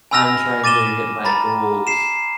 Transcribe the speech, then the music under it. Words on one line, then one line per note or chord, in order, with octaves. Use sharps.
I'm trying to hit my goals,
G#5 B5 E6 F6 A#6 F7
D6 A6 D#7 E7 G7
A#5 B5 A6
C7 E7